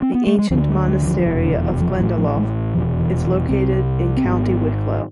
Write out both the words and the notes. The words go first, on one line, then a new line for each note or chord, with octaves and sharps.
The ancient monastery of Glendalough is located in County Wicklow.
C4
B3
A3
G#3
D2 D3 F3
G#3
G#3
E3
F3
F3
F1 E2 B2 E3
D3
E3
F3
A1 A2 E3
F3
G#3
F1 E2 B2 F3
E3
E3
C2 C3 C4
C4
G#1 G#2 B3